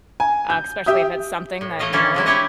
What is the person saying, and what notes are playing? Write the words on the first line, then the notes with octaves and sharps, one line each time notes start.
uh, especially if it's something that, you know,
G#5
G6
G4 E5 D#6 G6
A2
E3 A3 D#5 F5
D3 E3 A#3 C#4 E4 A4
C3 G#3 E4
D4 E4 G4 C#5 D#5